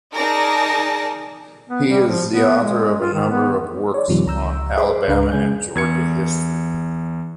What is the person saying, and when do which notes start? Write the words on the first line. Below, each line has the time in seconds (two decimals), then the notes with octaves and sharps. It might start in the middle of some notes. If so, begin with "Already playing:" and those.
He is the author of a number of works on Alabama and Georgia history.
0.15 D#4 G#4 A#4 D5 A5 A#6
1.69 B3
1.88 G3
2.07 F3
2.30 B3
2.62 G#3
3.01 F4
3.14 D#3
3.30 B3
3.94 C#5 D5
4.08 F#2 C3 D#3 F3 G3
4.26 C#2 A#5 E6 G6
4.77 G#4 C5 D#5 B5 C6 D6
5.08 C#2 D4 B4 F5 A#5
5.32 C#3 G#3 G#5 G6
5.75 E2 G#6 C#7